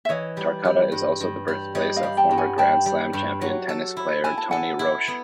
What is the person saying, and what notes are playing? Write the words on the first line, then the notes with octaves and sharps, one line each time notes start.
Tarcutta is also the birthplace of former Grand Slam champion tennis player Tony Roche.
E5
E3 C#5 D#5
G3
G3
G2
G2
G3
G3 C#5 D#5
D#5 F5
G3
G5 A5
G2
F#5 G#5
G3 G5 A5
G3
G2
F#3
A4
E4
E4 G#5
A5
A4 F#5 G#5
E4
B3